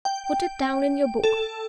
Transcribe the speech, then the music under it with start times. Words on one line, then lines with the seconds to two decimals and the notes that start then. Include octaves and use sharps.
"Put it down in your book."
0.05 G5
1.24 A4